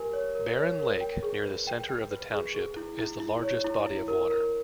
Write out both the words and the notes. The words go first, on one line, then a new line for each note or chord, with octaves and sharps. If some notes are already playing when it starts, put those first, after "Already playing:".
Barron Lake, near the center of the township, is the largest body of water.
Already playing: G4 A#4 G#5
C#5
A#4
C#5
A#4
G5
G#4
B4
G5
G5
B4
G#4
G#4
E4
E4
E4
C#5
E4
E4
A#4
A#4